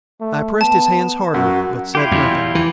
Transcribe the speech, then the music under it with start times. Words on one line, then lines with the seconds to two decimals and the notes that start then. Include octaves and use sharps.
I pressed his hands harder, but said nothing.
0.21 A3
0.61 B3 A5
1.34 F#2 F#4
1.95 E4 F4 G4
2.11 E2
2.55 E3